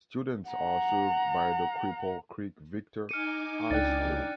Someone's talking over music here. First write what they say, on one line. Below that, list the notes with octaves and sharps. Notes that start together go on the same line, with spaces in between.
Students are served by the Cripple Creek-Victor High School.
F#5 A#5
D#4 G#5 D6 F6 C#7 D#7
C#2 D4 D5 G5 F#6 A6